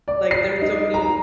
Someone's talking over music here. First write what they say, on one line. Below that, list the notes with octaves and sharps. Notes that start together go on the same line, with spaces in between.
Like there's so many
D5
C7
D#4
A#5